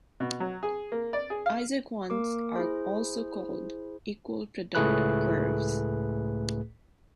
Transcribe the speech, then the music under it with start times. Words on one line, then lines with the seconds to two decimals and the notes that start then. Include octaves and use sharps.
Isoquants are also called equal product curves.
0.20 B2
0.40 F#3
0.63 G#4
0.92 A#3
1.13 D5
1.30 G#4
1.46 F5
2.10 A#3 A#4 D6
2.56 E4 G#4 C5
4.75 C#2 A2 A3 G#4 B4 F#6